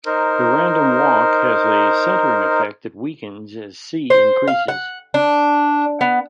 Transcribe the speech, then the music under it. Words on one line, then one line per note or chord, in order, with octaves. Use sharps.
The random walk has a centering effect that weakens as "c" increases.
D#4 A#4 C5
C5
F5
F#5
D4
B3